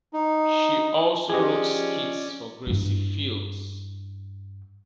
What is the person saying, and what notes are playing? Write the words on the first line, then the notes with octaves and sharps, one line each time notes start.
She also wrote skits for Gracie Fields.
D#4
F3 C#4 G4 G#4 D5 D#5 G#5
G2 E4